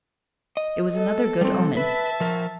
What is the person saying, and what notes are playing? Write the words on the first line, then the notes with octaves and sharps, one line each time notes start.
It was another good omen.
D#5
A4
G3 C4
B4 E5 A5
F3 A#4